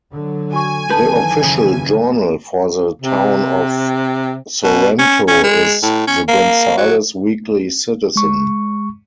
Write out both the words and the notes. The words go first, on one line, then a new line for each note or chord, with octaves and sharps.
The official journal for the Town of Sorrento is "The Gonzales Weekly Citizen".
D3 F#3
F#4 G#5 C#6
F#2 D#3 E3 A4 B4 A5 G6
C#3
C3
B2
C#4
C#4
G#3
A2
C#4
A#3
F#3
G#3 C#6